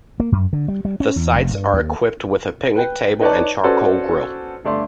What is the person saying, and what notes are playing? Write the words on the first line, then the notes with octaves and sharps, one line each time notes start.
The sites are equipped with a picnic table and charcoal grill.
A#3
F#2
D3
G3
G3
C#4
E2
F1
G2
D#2
B4 G5
D#4 B4 C#5 D5 A5
C#4 F#4 A4 B4 C5 D5
G1 A3 D5 C6